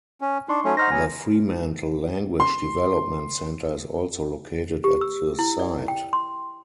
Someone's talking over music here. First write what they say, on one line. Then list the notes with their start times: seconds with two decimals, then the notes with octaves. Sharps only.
The Fremantle Language Development Centre is also located at the site.
0.21 C#4
0.48 D4 D#4 C6 C#6
0.65 F#3 A3 C#4
0.77 D#4 C5 F#5 F6 A#6
0.92 F#3 B3 G#5
2.40 C6
4.84 G4
5.01 E6
5.39 E4
5.59 D5
5.88 G5
6.13 C6